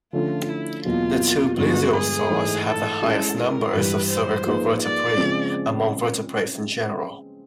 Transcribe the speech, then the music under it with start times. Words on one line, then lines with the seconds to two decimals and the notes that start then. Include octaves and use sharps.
The two plesiosaurs have the highest numbers of cervical vertebrae among vertebrates in general.
0.13 D3 F3 A3 C#4 F4
0.49 E4
0.85 E2 B2 F#3 A#3 F4
1.57 G2 D3 F3 G#3 B3 F#4
1.93 G#4
2.29 G#2 E3 A3
2.66 A4
3.01 G#3 C#4 E4
3.37 A#4
3.73 G2 E3 G3 B4
4.10 C5
4.45 F3 A#3 D#4 G#4 B4
4.81 D5
5.17 C#3 F3 G#3 C4